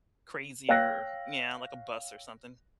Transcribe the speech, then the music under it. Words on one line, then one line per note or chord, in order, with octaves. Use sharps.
crazier, yeah, like a bus or something.
C#5 F5 G5 E6 F#6 A#6